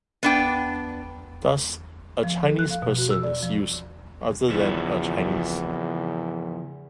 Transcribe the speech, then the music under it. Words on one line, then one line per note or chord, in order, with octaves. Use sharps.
Thus, "a Chinese person" is used rather than "a Chinese".
B3 D4 G5
F3
A4
F#6
F5
B2
F#4
E6
D5
F3
E2 C#3 F3 E4